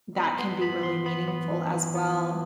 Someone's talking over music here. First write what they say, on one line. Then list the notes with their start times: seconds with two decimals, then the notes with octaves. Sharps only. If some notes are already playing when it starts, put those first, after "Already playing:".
that can be really meaningful as well.
0.17 B3 B5
0.38 B3 C6
0.61 B3 B5
0.83 E3 C6
1.06 B3 B5
1.28 B3
1.50 E3
1.73 E3
1.95 B3
2.17 E3